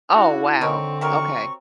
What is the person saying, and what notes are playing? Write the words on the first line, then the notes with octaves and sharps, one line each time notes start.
Oh, wow, okay.
D4 E4 F#4
D3 C4 D#4 A#4 C#5 C#6
C3 F#3 A#4 C#6